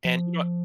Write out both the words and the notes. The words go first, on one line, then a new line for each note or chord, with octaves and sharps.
And, you know what?
F3